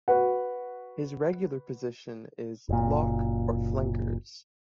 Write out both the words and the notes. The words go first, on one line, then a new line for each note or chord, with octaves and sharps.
His regular position is lock or flankers.
F#4 B4 F#5
F#1 A#2